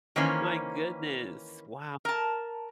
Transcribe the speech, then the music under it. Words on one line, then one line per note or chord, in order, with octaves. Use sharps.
My goodness. Wow.
D#3 E3 A#3 C#4 C5
A#4 A5